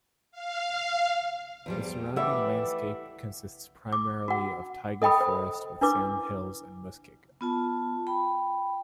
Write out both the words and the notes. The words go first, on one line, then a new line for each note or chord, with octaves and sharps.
The surrounding landscape consists of primarily taiga forest with sand hills and muskeg.
F5
E2 F3 G3
E3 G3 A3 E4 G4 E5 F#5 D6
D6
F#4 F#5
A4 D#5 G5 B5 D#6
C5
D4 E4 B4 D6
B3 F4 A5
G5 B5